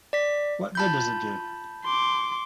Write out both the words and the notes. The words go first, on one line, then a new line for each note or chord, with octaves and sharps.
What good does it do?
D5 B6
F4 A5 B5 G6
C6 D6